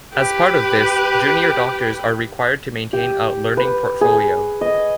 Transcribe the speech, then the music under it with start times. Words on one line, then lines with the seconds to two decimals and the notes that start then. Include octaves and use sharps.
As part of this junior doctors are required to maintain a "learning portfolio".
0.14 G4 B4
2.93 G4
3.57 B4
4.01 G#4
4.61 D#5